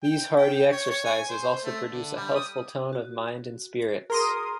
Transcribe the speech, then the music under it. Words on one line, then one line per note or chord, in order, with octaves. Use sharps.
These hardy exercises also produce a healthful tone of mind and spirits.
G5
G5
C#5
C#5
G#5
C5
A3
D3
G3
D#6
F#4
G#4 A#4 C6 D#6